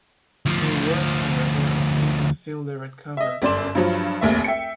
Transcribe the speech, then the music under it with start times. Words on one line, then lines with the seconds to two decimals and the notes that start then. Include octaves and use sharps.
He was however a famous fielder at cover.
0.46 D2 F3
3.17 D#5 E5
3.42 G1 F#2 D5 C6 E7
3.75 G2 F3 F#3
4.21 F1 A#1 D#2 E5
4.44 E5 G5 C#7